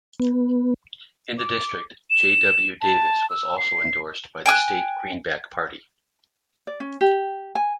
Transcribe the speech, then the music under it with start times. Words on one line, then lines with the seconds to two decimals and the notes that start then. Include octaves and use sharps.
In the District, J. W. Davis was also endorsed by the state Greenback Party.
0.20 B3
1.38 D6
2.10 E7
2.82 A5
3.30 E6
3.58 C7
4.46 G5 G#5 D#6 F#6
6.67 D5
6.80 C#4
7.01 G4
7.55 G#5